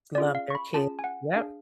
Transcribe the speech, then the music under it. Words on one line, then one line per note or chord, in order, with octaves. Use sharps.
Love their kid. Yep.
C#4 F4 G#4 D5
F5
C#6
B5
C#4 F4 G#4 A5
G#5
F#5
D4 G#4 F5